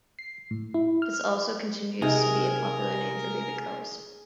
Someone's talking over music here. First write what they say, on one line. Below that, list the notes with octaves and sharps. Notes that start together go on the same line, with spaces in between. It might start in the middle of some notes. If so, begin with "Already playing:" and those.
It also continues to be a popular name for baby girls.
C7
A2
E4
F6
C3 D#4 G#4 A#4